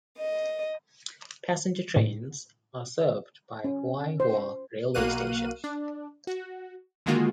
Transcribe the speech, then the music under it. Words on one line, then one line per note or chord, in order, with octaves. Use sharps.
Passenger trains are served by the Huaihua Railway Station.
D#5
A2
C#4
C5
B1 A#3 F#4 F5 F#6 D#7
D4
F#4
D3 D#3 G#3 A#3 F4 F#4